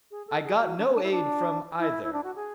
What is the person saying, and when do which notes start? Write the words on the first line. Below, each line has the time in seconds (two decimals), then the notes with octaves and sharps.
I got no aid from either.
0.11 G#4
0.27 A4
0.44 G#4
0.61 F#4
0.78 D4
0.86 C#4
0.95 D4
1.03 E4
1.11 D4
1.79 E4
2.03 E4
2.13 D4
2.23 F#4
2.36 G#4